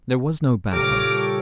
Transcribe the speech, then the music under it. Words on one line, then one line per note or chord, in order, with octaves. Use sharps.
There was no battle.
A#2 C#3 G3 G4 A4 A#4 C#5 D6